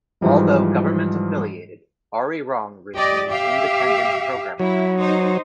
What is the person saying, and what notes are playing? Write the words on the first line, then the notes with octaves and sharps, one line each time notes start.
Although government-affiliated, Arirang retains independent-programming rights.
G#2 E3 F3 G3 G#3
G4 D5 D#5
G4 E5 F5
F#3 E4
D#4 C5